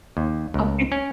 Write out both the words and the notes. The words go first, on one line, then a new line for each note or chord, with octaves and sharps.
I went
D#2
C#2
C#4